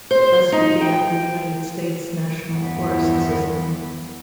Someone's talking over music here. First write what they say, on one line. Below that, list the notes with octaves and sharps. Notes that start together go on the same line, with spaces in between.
Thus began the United States National Forest System.
C5
D#4
G5
E2 G2 E3 F3 B3